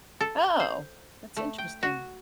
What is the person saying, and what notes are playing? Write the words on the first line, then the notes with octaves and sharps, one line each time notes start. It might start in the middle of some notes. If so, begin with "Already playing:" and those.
Oh, that's interesting.
A4
C5
A3
G5
F#4